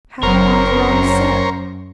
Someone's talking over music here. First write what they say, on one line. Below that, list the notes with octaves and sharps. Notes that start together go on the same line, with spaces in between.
"How on the wrong scent?"
F#1 F#2 A#4 C5 C#5 A#5